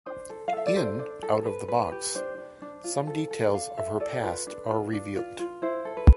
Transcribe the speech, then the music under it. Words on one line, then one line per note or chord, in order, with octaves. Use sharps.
In "Out of the Box" some details of her past are revealed.
D4 C5
A4
F5
A4 E5
D5
A4 C5
D4
A4
B4
B4
G4
D4 C5
D4
D4
F4
A4
A4
D4 F5
A4 E5
A4 D5
F4 B4
D4
F4
D4
F4
F4
E4 C5
A4
B4